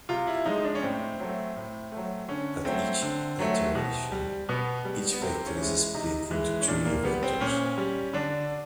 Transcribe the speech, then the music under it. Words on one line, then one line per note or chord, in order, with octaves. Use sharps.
At each iteration, each vector is split into two new vectors.
C3 F4
E4
F3 G#3 D#4
D4
C#4
A2 C4
F#3 A3
A2
F#3 A3
D3 C#4
F#3 A3 C4
D3
F#3 A3
B2
G3
B2 B3
G3
B3
C3 C4
C#4
E3 G#3
C3 D#4
E3 G#3
C#4
A#2 D4
A#3
G3 B3
C4
A#2 C#4
G3
D3 D4